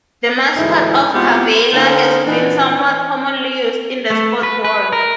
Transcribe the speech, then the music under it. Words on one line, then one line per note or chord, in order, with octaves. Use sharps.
The mascot of Cavalier has been somewhat commonly used in the sports world.
D2 G#2 E3 D#4 E4
G#3 B3 C4 E4 F4 G4
D3 A#3 B3 C#4 D#4 C5
A#2 E3 B3 D4 D#4
A3
B4
B4
A#4